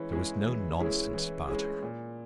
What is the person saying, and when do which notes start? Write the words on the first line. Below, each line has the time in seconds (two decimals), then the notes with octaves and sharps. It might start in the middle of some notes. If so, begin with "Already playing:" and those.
There was no nonsense about her.
Already playing: E3 G#3 C#4 E4
0.11 G#3 C#4 E4 G#4
0.46 E3
0.79 G#3 C#4 E4 G#4
1.14 E3
1.47 G#3 C#4 E4 G#4
1.82 A#2